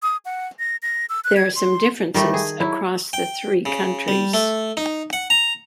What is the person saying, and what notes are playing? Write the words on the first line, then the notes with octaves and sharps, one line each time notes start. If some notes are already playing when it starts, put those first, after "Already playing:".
There are some differences across the three countries.
D#6
F#5
A#6
A#6
E6
F#6
G#6
C6
D#3 G3 A3
G#4
F#3 E4
G5
C#3
G3
A3
D#4
F#5
A#5